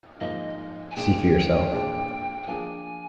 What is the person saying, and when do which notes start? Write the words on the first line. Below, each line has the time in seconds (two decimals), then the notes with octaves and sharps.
See for yourself.
0.20 G#2 F3 A#3 D#5
0.91 G#5
0.96 A#2 G#3 D4 G#4 G5
1.72 A#2 G#3 D4 G#4
2.43 G5
2.47 F3 A#3 D4 G#4 G#5